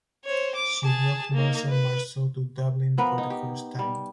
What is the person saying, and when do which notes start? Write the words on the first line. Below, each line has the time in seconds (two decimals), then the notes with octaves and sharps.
She brought Marcel Marceau to Dublin for the first time.
0.25 C5 C#5
0.55 D6
0.84 G#4 A5
1.34 A#3 D#4
1.69 B4
2.98 F3 B3 A#4 B4
3.18 D#4
3.30 G4
3.79 G3